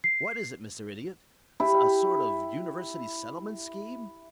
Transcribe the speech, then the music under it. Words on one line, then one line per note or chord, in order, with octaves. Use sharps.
"What is it, Mr. Idiot--a sort of University Settlement Scheme?"
C7
E4 G4